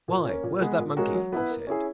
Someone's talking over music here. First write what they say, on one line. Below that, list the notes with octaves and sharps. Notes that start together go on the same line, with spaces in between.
"Why, where's that monkey?" he said.
A#2
A#3 C#4
A#2
G#3 B3
A#2
G#3 C#4 F#4 A#4
F#3
B3 E4 B4
A#3
C#4 E4 G#4